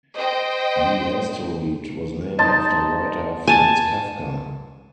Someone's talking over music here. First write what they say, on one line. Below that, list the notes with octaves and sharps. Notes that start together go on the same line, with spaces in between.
The asteroid was named after writer Franz Kafka.
C5 D#5 G5
D#4 A5 C6
G#5 A5